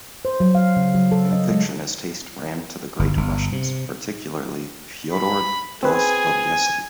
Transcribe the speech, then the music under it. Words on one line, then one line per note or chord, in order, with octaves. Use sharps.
In fiction his taste ran to the great Russians, particularly Fyodor Dostoyevsky.
C5
F#3
F5
C#3
F#3
A4
D#5
G#3
G1
G1
C3
B5
C4 G#4 B4 G#5